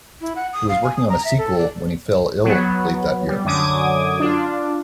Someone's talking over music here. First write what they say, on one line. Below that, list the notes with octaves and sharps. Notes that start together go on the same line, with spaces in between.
He was working on a sequel when he fell ill late that year.
E4
F#5
D#6
F5
G#5
D#6
A#5
E5
A4
D5
F#3 B3
G3
F#2 D3 F#3 D6 D#6 G#6
D4 F4